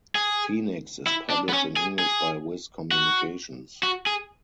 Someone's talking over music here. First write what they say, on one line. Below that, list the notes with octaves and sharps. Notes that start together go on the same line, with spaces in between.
Phoenix is published in English by Viz Communications.
G#4
E4
D4
B3
C#4
G#4
G#4
F#4
F#4
G#4